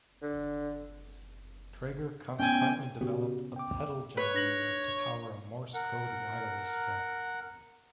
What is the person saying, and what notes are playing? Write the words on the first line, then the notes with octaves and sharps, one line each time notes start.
Traeger consequently developed a pedal generator to power a morse code wireless set.
D3
B3 C#4 G5 G#5
C#3 B3 F#4 G4
G5 D6
B4 C#5
D4 A#6 F#7
A#4 F#5